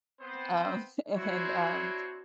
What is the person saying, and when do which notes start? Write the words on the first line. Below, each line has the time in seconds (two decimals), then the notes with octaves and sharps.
um, and, um,
0.21 B3 C4 C5
1.14 C4 D4 E4 F#4 C5 C#5